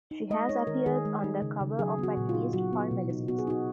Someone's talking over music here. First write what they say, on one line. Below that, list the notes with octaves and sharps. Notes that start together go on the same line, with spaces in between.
She has appeared on the cover of at-least five magazines.
D#4
G#3 D#5
D#4 C#5
D#3 A#4
D#3 G#4
G#3
D#4
C#3
C#3
F#3 G#4
B3
F#4
A#2
F4
D#4
F#3 F#4
B3
B2
D#4
B3 F#4
G#4
D#4 F#4